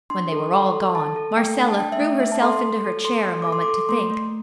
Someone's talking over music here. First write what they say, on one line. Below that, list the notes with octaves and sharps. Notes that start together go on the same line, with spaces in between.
When they were all gone Marcella threw herself into her chair a moment to think.
D4 C6
A4
A4 C6
A4
A4 A5
A4
A3 G5
D4
A5
D4 G5
E5
A3 D5
C4 E5
A5
A4 C6
C6
A4
A4
A4 C6
A4
A4 D6
C6
D6
A4
A3 C6
A3